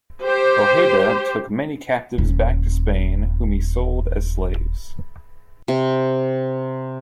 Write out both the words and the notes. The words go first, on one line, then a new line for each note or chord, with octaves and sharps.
Ojeda took many captives back to Spain whom he sold as slaves.
G4 C5
D#1 C#4
C3